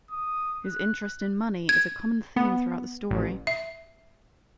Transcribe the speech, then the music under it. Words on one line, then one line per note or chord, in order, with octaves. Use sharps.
His interest in money is a common theme throughout the story.
D#6
F#6
G#6
B3
A1
E5